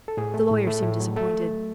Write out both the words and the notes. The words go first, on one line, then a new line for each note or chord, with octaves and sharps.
The lawyer seemed disappointed.
A4
A2 G#4
A3
A2
A3
A2
F#3
A3 A4